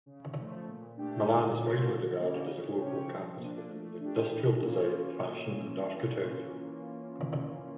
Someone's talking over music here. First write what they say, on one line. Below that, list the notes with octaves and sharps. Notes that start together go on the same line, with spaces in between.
Milan is widely regarded as a global capital in industrial design, fashion and architecture.
C#3
F3 A3
A#2
A3 D4 G4
D3
A3 C#4 F4 A#4
D3
G3 A#3 C#4
C#3
F3 C#4 G4 C#5
F3
A#3 D4
A3
D4 G4
E3
A#3 C#4 F4